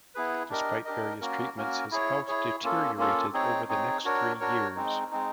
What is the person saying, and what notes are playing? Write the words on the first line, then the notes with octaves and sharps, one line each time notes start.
Despite various treatments, his health deteriorated over the next three years.
B3 E4 G#4 B4
D4 G4 A#4 D#5
D4 G4 A#4 D#5
A#3 C#4 F#4 A#4
A#3 C#4 F#4 A#4
E4 G#4 C#5
E4 G#4 C#5
A#3 C#4 F4 A4
A#3 C#4 F4 A4
C4 D#4 G#4 C#5
C4 D#4 G#4 C#5
D4 F#4 A#4 C#5
D4 F#4 A#4 C#5
G#3 C4 D#4
G#3 C4 D#4